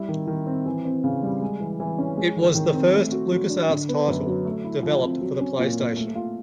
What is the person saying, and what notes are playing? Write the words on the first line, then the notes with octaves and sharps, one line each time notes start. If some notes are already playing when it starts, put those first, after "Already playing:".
It was the first LucasArts title developed for the PlayStation.
Already playing: G3 E4
D#3
D#3
C4
E3
C4
C#3
G3
G#3
E3
E3
C#4
G#3
D#3
D#3
C4
A3
F#4
F#3
D4
D3
B3
F#2
F#3
A3
E4
F3
C4
F#3
C#4
A#2
A#3
A3
F4